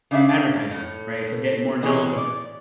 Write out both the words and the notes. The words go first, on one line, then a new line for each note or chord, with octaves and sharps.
advertisement," right? So, get more known 'cause"
C#3 D4 F4 E5 F5
A2
B2 E3 G#4 C5 C#5
D5